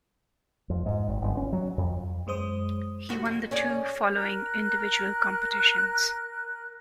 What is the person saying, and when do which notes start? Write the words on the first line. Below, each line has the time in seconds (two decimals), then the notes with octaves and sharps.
He won the two following individual competitions.
0.70 F2
0.86 G#2
1.07 G#1
1.22 G1
1.37 C#4
1.52 F#3
1.78 F2
2.27 F#2 G#3 C5 D#6
3.09 D#2 F#4
3.25 F2
3.51 C#4 G#4 D5
4.14 A#4 F#6